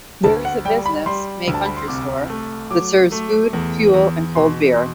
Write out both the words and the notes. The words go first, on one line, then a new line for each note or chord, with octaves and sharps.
There is a business May Country Store that serves food fuel and cold beer.
D2 A5
F#5
G3 G5
B5
G3 C6
D2
A5
B5
C6
C2 D6
A3
F#3 D6
A3
E2
E2
B2 C6
B2 C6